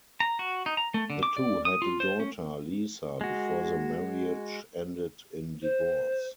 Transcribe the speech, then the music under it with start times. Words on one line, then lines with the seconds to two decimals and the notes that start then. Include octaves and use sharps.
The two had a daughter, Lisa, before the marriage ended in divorce.
0.20 A#5
0.39 F#4
0.66 D#4
0.77 A#5
0.94 A3
1.10 D3
1.23 D6
1.37 D5
1.65 D#6
1.82 F4
2.00 C5
2.20 C#4
3.21 G#3 F#4
5.62 C5